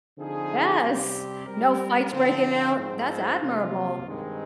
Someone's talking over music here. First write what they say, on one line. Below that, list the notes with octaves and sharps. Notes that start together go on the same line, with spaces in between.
Yes. No fights breaking out? That's admirable.
D3 F3 C4 D#4 G#4
C3 G3 C4 G4
G3 C4 G4 A#4
D3 F3 C4
G#2 F3 C4
C3 F3 A#3 F4
G2 D#3 G#3 C4